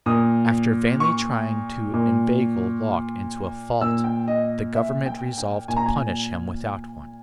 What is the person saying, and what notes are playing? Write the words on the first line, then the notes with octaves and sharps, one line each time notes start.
After vainly trying to inveigle Locke into a fault, the government resolved to punish him without one.
A#2 D#6
C#6
A#2
A#2 E6
G5
D#5
E5
G5
G5
A#2 G#5
A#5
G#5